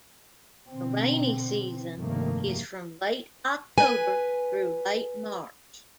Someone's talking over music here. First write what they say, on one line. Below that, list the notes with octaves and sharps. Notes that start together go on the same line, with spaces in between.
The rainy season is from late October through late March.
B2 D3 C4
F1 G2 C3 D#3 A3 A#3
B4 G#5